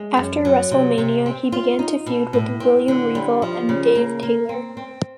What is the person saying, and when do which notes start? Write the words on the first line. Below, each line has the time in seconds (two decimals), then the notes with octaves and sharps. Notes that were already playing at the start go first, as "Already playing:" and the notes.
After WrestleMania, he began to feud with William Regal and Dave Taylor.
Already playing: G#3
0.17 F#2
0.45 F#3
0.71 C3
0.98 C3
1.26 C4
1.52 F4
1.79 D#4
2.06 B2
2.33 A2
2.60 C4
2.88 D3
3.15 G3
3.42 F3
3.69 C#3
3.95 A#3
4.23 A#3
4.49 C4
4.77 C4